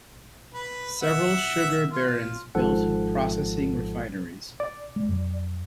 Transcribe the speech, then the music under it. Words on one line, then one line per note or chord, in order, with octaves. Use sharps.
Several sugar barons built processing refineries.
B4
E5 F#5
F4
G#1 G#2 F3 A4 F#5
D5
G#3
F2 F#3